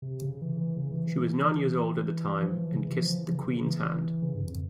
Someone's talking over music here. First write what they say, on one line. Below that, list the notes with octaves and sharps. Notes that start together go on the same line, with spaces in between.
She was nine years old at the time and kissed the Queen's hand.
C3
C#3
E3
E3
C#3
E3
E3
F3
E3
C#3
E3
F3
E3
C#3
C#3
E3
C#3
G2
F2